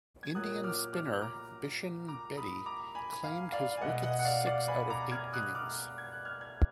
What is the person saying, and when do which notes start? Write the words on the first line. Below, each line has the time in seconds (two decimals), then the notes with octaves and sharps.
Indian spinner Bishen Bedi claimed his wicket six out of eight innings.
0.23 G#6
0.35 A#2 F#3 A#3 D#6 F#6
0.64 D6 F6
0.93 D6 F6
1.22 A#5 D6
2.08 A#5 D6
2.37 B5 D#6
2.66 A#5 D6
2.95 G#5 B5
3.24 F5 G#5
3.52 D5 F5
3.77 G#5
3.81 B2 G#3 B3 D#5 F#5
4.03 D#5 F#5
4.19 F#5
4.25 D5 F5
4.46 D5 F5
4.68 G#5 B5
4.90 A#5 D6
5.11 F6 G#6
5.33 D#6 F#6
5.55 D6 F6
5.98 G#6
6.12 F#6
6.25 F6 G#6
6.41 F6 G#6